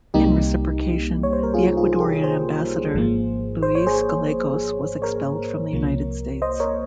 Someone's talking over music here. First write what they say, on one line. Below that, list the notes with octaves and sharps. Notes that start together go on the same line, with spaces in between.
In reciprocation, the Ecuadorian ambassador Luis Gallegos was expelled from the United States.
C2 C3 G3 A#3 D#4 G4
C#5
C5
A#4
F4 G#4
F4 G#4
G#4
G4 A#4
G#4 C5
G#1 G#2 F3 A#3
C5
C#5
G#4 C5
A#4 C#5
C2 C3 F3 A#3
C5 D#5
A#4 C#5